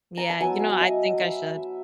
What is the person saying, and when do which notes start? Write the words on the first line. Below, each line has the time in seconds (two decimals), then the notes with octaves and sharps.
Yeah, you know, I think I should.
0.17 A#5
0.30 A5
0.40 F#3 B3 E4 G#5
0.59 F5
0.70 E5
0.81 D#5
1.22 E5